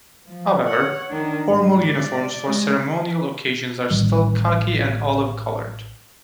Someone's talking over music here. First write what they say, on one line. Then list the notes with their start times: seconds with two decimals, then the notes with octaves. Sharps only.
However, formal uniforms for ceremonial occasions are still khaki and olive-colored.
0.27 F3
0.64 C#5 F#5
1.09 D#3 D4
1.46 G#2
1.83 D5
2.46 G#3
3.91 A1 A2 D#3 G3